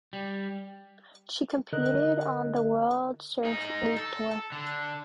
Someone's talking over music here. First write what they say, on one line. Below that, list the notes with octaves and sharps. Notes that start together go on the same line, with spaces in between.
She competed on the World Surf League Tour.
G3
D3 A#4 D#5 F#6
D#4 G#4
A4
D3